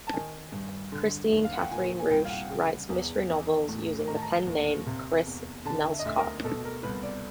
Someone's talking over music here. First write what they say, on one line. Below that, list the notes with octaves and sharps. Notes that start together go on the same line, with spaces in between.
Kristine Kathryn Rusch writes mystery novels, using the pen-name "Kris Nelscott".
A5
D#3 G#5
G2
D3
D#2
F5
F#5
G5
A#2 G#5
G#5
C2 G5
F5
F#5
C#3
E2
E3
A2
D#3 A#5
A5
A#5
D#2
C3
E2
D3 A5
E5
D#5
D2 E5
A#4
B2 A4
A#4
C2 B4
D5